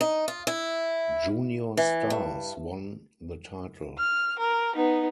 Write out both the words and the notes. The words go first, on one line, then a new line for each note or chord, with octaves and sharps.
Junior Stars won the title.
D#4
F4
E4
E3
G2
F6
A#4
B3 D#4